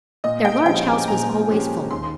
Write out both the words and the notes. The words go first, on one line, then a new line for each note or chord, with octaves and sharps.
Their large house was always full.
A#2 D#5
G5
F3 G#3 C#4 G4 G5
G#5
A#2 A#5
F3 G#3 C#4 G4
D#2 C6